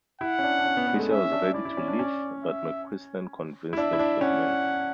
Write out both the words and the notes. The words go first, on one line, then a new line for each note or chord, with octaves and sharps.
Fisher was ready to leave, but McQuesten convinced him to remain.
E4 F#5
C#4
D4
D4
C#4
B3
B3
G#3
A3
C#4 E5
D4
E4 D5
E4
C#4
D4
C#4
E5
E4
D4 E5
E4
D4
C#4 F#5